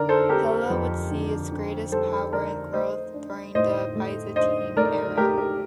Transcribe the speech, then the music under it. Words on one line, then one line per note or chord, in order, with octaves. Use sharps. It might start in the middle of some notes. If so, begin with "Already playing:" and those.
Pella would see its greatest power and growth during the Byzantine era.
Already playing: D3 A#4 D5
A4 C5
C4 G4 A#4
F2
D3
D3
G3 A4 C5
D3 A#4 D5
A3 C5 D#5
D4
A2 C5 D#5
A3
D4 C5 D#5
A3 A#4 D5
A3 G4 A#4
G4